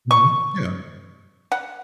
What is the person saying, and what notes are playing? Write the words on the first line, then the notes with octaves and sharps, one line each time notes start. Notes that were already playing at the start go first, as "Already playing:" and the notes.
Mhm, yeah.
C#6
F#5